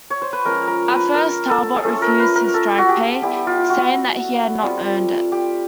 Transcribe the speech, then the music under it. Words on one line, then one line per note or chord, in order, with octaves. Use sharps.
At first Talbot refused his strike pay, saying that he had not earned it.
C#5
C5
B4
F3 G#3 C#4 A#4
A#4
B4
A#4
A4
G#4
A3 C#4 F4 A4
A#4
B4
A#4
A4
F#4
G4
G3 B3 E4 G4
F4
F#4
G3 C4 F4
G4